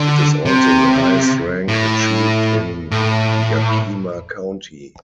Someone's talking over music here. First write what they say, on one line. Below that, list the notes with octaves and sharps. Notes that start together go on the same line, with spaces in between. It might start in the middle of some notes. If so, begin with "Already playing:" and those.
It is also the highest rank achieved in Yakima County.
Already playing: D3
C3
A2
A2